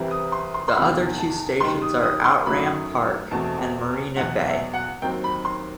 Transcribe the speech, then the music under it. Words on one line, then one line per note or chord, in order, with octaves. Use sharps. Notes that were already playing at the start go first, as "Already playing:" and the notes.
The other two stations are Outram Park and Marina Bay.
Already playing: C2 C3 E3 G3 C4
D#6
C6
C6
C6
E2 C3 D#3 F#3 B5
A5
D#2 D#3 G3 C6
D#6
D#6
C6
F#2 D#3 F#3 A3 B5
E2 B2 A3 C4 A5
E2 B2 F#3 F#5
E5
F#5
D#2 D#3 F#3 C4 G5
B5
C6